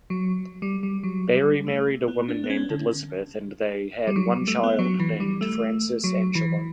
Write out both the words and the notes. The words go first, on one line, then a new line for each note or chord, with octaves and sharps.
Barry married a woman named Elizabeth, and they had one child named Frances Angela.
F#3
G3
G3
F#3
G3
A3
B3
D4
B3
C#4
D3
G3
F#3
G3
A3
B3
F#3
E3
G3
A3
F#3
E3